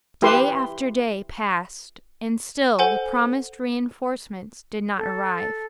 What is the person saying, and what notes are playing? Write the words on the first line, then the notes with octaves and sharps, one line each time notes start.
Day after day passed and still the promised re-enforcements did not arrive.
E4 G4 B4 C6
A4 C5 F#5 G#5
A4